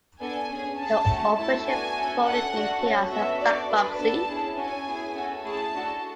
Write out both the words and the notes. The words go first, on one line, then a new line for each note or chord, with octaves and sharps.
The operation folded in chaos and bankruptcy.
B3 D4 A4 G#5
C#4 G#4
C#4 G#4 A5
A3 C#4 F#4
A3 E4 A4 A5
B3 D4 F#4 G#5
A3 C#4 F#4 A4
D4 A4 F#5
A3 D4 F#4
C#4 F#4 A4
B3 F#4 A4 E5
D4 F#4 A4 D5
D4 A4 B4
B3 D4 A4 A5
C#4 E4 G#4
C#4 F#4 A4 G#5
B3 E4 G#4
C#4 F#4 A4
A3 E4 G#4 A5
D4 F#4 A4